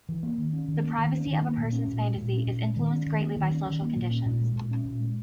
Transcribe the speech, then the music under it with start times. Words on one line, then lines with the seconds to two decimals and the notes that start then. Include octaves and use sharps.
The privacy of a person's fantasy is influenced greatly by social conditions.
0.09 E3
0.23 A#3
0.38 D#3
0.53 C#4
0.68 D#3
0.83 A#3
0.98 D#3
1.13 C#4
1.27 D#3
1.42 A#3
1.57 A#2
1.73 C#4
1.88 A#2
2.02 G#3
2.17 A#2
2.33 C#4
2.47 A#2
2.62 G#3
2.76 D#3
2.91 C#4
3.07 D#3
3.21 A#3
3.37 D#3
3.51 C#4
3.67 D#3
3.81 A#3
3.96 A#2
4.10 C#4
4.26 A#2
4.42 G#3
4.56 A#2
4.71 C#4
4.85 A#2
5.00 G#3